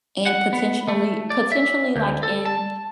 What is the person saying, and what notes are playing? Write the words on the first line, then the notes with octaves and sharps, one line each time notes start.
and potentially- potentially, like, in
F#5
B3
A3
D5
E5
D2
A4
A5